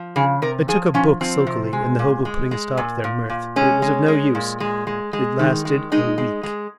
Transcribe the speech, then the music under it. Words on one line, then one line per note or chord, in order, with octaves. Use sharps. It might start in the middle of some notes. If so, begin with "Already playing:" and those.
I took a book sulkily, in the hope of putting a stop to their mirth, but it was of no use: it lasted a week.
Already playing: F3
C#3 G#4
C3 A#4
F3 G#4
F3 C#4
F3 C4
C3
G#3
A#2
G#3
G#3
A#2
A#2
A#2
G#3 C#4
G#3
G#3
A#2
G#3
G#3
G#3
D#3
G#3
G#3 D#4
G#3
G#3